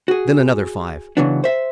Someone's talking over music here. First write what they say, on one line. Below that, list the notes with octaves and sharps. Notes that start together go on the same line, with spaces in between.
Then another five.
F#4 G#4
C#3 E3 F#3 B3 D4
C5 E5